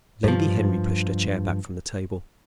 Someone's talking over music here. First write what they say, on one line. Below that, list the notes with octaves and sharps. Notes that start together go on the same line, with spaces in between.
Lady Henry pushed her chair back from the table.
G2 F3